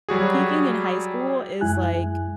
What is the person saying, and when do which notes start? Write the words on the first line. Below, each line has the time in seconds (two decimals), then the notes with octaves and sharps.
peaking in high school is, like
0.09 F#3 G3 F#4 G#4
1.61 F#2 G#3 E4 G#5 F#6